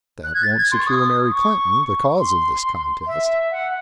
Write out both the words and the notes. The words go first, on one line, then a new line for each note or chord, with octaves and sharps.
"That won't secure Mary Clinton, the cause of this contest."
F#6
G#6
A6
G#6
C6
C#6
D#6
C#6
C6
E5
F#5